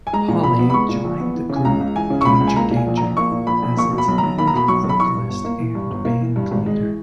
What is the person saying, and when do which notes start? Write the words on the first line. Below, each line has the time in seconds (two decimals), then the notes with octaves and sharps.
Poley joined the group Danger Danger as its lead vocalist and bandleader.
0.07 G#5
0.13 G#3 A#5
0.28 A#2
0.43 A#1 B5
0.59 B3
0.70 B5
0.74 G#3 C#6
0.89 A#2
1.04 A#1
1.20 B3
1.35 E3
1.49 C#3
1.56 G#5
1.65 C#2 A#5
1.80 C#2
1.96 E3 G#5
2.10 C#3
2.21 C#6
2.25 C#2 B5
2.41 C#2
2.47 G#5
2.56 A#3 A#5
2.71 A#2
2.76 G#5
2.87 A#1
2.97 A#1 A#5
3.17 A#3 C#6
3.32 A#2
3.47 A#1 B5
3.63 A#1
3.77 A#3 C#6
3.93 B2
3.98 B5
4.08 B1
4.18 B1 A#5
4.38 A#3 B5
4.47 A#5
4.54 B2 B5
4.68 B1 C#6
4.84 B1
4.89 B5
4.99 E3 C#6
5.15 G2
5.30 G1
5.45 A#3
5.60 E3
5.75 G2
5.91 G1
6.05 A#3
6.21 E3
6.36 G2
6.51 G#1
6.66 G#3
6.81 E3